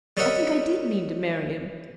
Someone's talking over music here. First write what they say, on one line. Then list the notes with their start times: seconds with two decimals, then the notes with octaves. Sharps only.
I think I did mean to marry him.
0.17 G3 C#4 A#4 D#5 E5 F#5